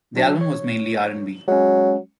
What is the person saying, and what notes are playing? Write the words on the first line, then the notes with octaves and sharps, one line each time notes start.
The album was mainly R and B.
F#3 D4
C#5
F#3 G#3 C#4